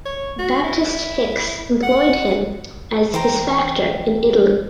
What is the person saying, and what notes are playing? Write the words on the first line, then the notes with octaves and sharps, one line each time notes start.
Baptist Hicks employed him as his factor in Italy.
C#5
F#4
E4
F#5
E3 C5 G5 A#5